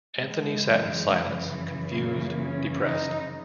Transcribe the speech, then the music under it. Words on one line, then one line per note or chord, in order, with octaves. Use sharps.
Anthony sat in silence, confused, depressed.
F#2 C#3 E3 G#3
A#3
C#4
D#4